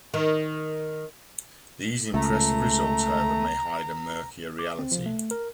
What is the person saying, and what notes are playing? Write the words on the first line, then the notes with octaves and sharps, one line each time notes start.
These impressive results however may hide a murkier reality.
D#3
C#2 A3 A#5
D6
C4
F3
A3
A#4